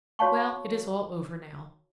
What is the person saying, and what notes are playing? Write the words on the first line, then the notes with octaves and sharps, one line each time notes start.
Well, it is all over now.
F#4 C#5 F5 A5 C#6